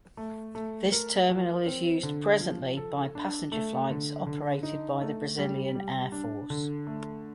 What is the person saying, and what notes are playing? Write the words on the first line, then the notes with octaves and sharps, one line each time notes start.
This terminal is used presently by passenger flights operated by the Brazilian Air Force.
A3
A3
A#4
F3
C4
D3
F3
A4
D4
A3
D3
D3
D#4
A3
G3
G3
D4
D3
A3